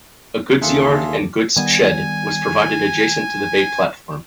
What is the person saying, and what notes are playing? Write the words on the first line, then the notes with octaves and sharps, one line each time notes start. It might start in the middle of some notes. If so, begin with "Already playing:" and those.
A goods yard and goods shed was provided adjacent to the bay platform.
D#2 D3 F4 G#4 A4 E5
D#3 G3 B3 G#5